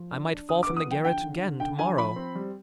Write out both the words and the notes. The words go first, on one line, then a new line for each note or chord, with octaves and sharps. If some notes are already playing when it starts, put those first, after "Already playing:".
I might fall from the garret again to-morrow.
Already playing: F3
D4
D4
D3 D#6
D6
B3
D#6
F3 G5
D3 G5
D3
D3
D3 G5
F3 G#5
F3 B5
C4
G3